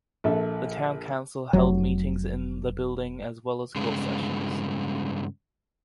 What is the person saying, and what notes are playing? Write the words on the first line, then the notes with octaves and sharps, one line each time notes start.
The town council held meetings in the building as well as court sessions.
A#1 A4 E5
F1 F#3
G2 C#3 G#3